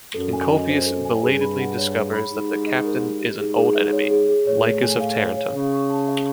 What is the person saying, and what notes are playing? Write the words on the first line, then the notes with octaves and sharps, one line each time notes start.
Encolpius belatedly discovers that the captain is an old enemy, Lichas of Tarentum.
F#2 A4
G#5
D#5
C5
A4
G#5
G2 G#4
B5
F#5
C#5
G#4
B5
G#2 G4
G4
D#5
A#4
G4
G4
G#2 G#4
G#4
E5
C#5
G#4
G#4
A2 C#5
C#5
G#5
F5
C#5
C#5
C#3 C#5
C#6
A5
E5